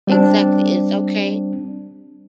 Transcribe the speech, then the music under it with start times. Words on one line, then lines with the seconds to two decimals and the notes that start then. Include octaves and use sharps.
Exactly, it's okay.
0.07 G3 C4 D4